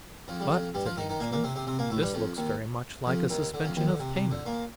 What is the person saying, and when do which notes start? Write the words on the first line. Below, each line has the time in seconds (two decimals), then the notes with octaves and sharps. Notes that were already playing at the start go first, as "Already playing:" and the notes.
"But," said the Englishman, "this looks very much like a suspension of payment."
0.28 F2 F3
0.40 G3
0.51 F2 F3
0.74 G2 G3
0.86 F3 F4
0.97 D#3 D#4
1.09 D#3 D#4
1.20 A#2 A#3
1.32 A#2 A#3
1.44 C3 C4
1.55 C3 C4
1.67 C3 C4
1.79 A#2 A#3
1.90 A2 A3
2.02 G2 G3
2.14 F2 F3
2.37 D#2 D#3
3.06 F2 F3
3.30 D#2 D#3
3.54 D3
3.64 F2 F3
3.76 D#2 D#3
3.88 D3
4.00 C3
4.15 C3
4.31 D3
4.46 A#2 A#3